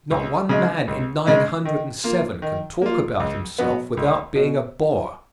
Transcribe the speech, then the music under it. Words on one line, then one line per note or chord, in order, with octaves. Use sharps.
Not one man in nine hundred and seven can talk about himself without being a bore.
C#2
C#3 G#3 D#4
C#2
C#3 G#3 D#4
D#3
A#3 F4
D#3
A#3 F4
C#2
B2 F#3 B3
C#2
B2